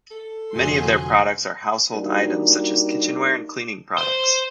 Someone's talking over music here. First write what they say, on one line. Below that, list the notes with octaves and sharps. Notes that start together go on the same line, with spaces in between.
Many of their products are house-hold items such as kitchenware and cleaning products.
A4
F1 D3 F#4 G#4 G#5 C6
G3 A#3 D4 D#4 F#4
C5